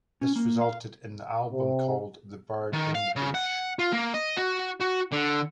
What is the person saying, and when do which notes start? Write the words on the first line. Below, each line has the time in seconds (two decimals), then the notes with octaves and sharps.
This resulted in the album called "The Bird in The Bush".
0.21 C#4
0.36 A#3
0.61 F5
1.51 C3
2.73 D#3
2.95 F5
3.16 C#3
3.35 F#5
3.79 F4
3.93 A#3
4.14 D#5
4.37 F#4
4.81 F#4
5.12 D3